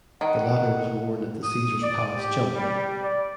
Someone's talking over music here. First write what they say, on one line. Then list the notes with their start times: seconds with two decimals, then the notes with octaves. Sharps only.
The latter was worn at the Caesars Palace jump.
0.21 D#3 F#5
1.43 D#6
1.81 D5
2.17 G4
2.55 G3
3.01 D5